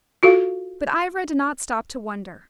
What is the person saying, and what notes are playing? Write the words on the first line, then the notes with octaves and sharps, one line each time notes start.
But Ivra did not stop to wonder.
F4 F#4 A4 F5